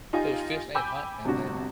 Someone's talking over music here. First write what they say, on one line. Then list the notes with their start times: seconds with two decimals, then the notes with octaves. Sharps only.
they would fish and hunt and then
0.13 D#4 F4 G4 G#5
0.75 G5 G#5 B5 D6 E6 G6
1.25 G1 C3 D4 F#4